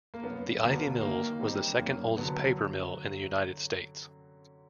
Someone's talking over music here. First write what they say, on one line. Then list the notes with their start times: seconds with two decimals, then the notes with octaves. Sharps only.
The Ivy Mills was the second oldest paper mill in the United States.
0.14 A#3
0.23 F#2 B3
0.63 D3 F#3 A#3 B3
1.01 D#3 A#3
1.39 G3 C4 D#4 G4
1.78 F#2 A#3
2.17 D3 F#3 B3